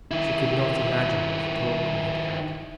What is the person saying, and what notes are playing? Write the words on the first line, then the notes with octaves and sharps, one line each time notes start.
She could not imagine what a talk we had had.
D#3 E4